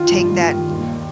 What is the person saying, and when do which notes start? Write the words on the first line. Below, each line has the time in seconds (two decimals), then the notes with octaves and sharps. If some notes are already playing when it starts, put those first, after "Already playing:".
take that
Already playing: D#3 F4
0.12 G2
0.31 G2
0.49 D#3
0.69 D#2